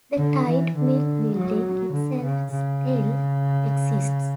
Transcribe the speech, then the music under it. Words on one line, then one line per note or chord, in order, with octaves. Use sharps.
The tide mill building itself still exists.
D3
E3
D3
F#3
D3
C#3
C#3